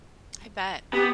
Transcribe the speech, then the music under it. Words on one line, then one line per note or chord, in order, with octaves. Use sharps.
I bet.
B3 G4